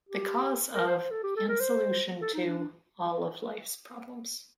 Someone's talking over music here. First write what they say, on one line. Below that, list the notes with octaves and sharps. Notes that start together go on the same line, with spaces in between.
The cause of... and solution to... all of life's problems.
G4
A#4
C5
C5
A4
G4
A4
A#4
C5
A4
D#4
D4
D4